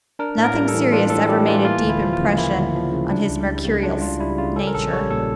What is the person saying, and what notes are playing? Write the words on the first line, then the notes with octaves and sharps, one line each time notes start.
Nothing serious ever made a deep impression on his mercurial nature.
D4 A#4
A2
A#4
G3
A4
E3
D4 F4
A2 A4
G3 G4
E3 F4
A#3 F4
D2
E4
F3
F4
C#3
A#3 E4
D2
F3
C#3
D4
C#2
G3
C#3
D4 F4
C#2 F4
G3 E4
C#3 F4
C#4 A4
A#4
A#1 A4
G3 C#5
A#2 A4